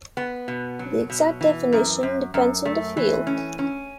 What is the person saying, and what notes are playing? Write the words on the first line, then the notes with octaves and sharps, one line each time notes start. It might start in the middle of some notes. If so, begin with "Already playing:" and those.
The exact definition depends on the field.
B3
B2
F#3
B2
E3
F#2
F#2
F#2
A3
E3
C#4
C#4